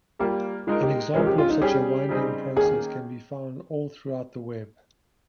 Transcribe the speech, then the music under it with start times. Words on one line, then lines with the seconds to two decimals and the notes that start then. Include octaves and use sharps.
An example of such a winding process can be found all throughout the web.
0.19 G3 A#3 F4 G4
0.67 G#3 D#4 F4 A#4
0.83 G4
1.14 C3 F3 G#3 C#4 A#4
1.26 G4
1.38 F4
1.50 D#4
1.61 G3 C#4 G4 G#4
2.09 C#3 G3 C4 D#4 G#4
2.56 D#3 A#3 C#4 G#4